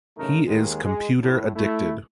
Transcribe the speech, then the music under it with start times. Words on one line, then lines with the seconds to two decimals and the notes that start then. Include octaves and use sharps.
He is computer addicted.
0.17 A1 F#2 C#3 A3 D#4 A#4
0.47 D#2 D#3 G#3
0.84 G#3
1.22 A2
1.56 A3 E4